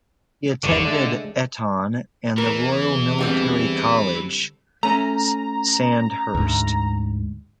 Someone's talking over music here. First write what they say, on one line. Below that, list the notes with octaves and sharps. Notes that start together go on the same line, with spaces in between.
He attended Eton and the Royal Military College, Sandhurst.
G1 E2 D3 C#5
G#3 A3 D4
E2 E3 A#4
D3 G3 C4
A3 C#4 A#5
D2 G#2